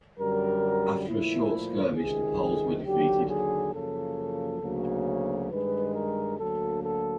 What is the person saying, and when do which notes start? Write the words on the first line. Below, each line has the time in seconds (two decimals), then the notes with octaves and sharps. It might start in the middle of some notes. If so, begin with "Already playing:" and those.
After a short skirmish, the Poles were defeated.
0.20 F#2 D3 G3 A#4
1.08 A#2 F3 A3 E4
1.97 C#2 C3 D#3 G#4
2.85 D#2 D3 F#3 G4
3.29 G#4
3.74 F#2 C#3 F3 A#3 A4
4.62 D2 C#3 F#3 A#3
5.50 G2 D#3 G#3 B4
5.95 A#4
6.39 D2 D3 F#3 A#3 A4
6.83 A4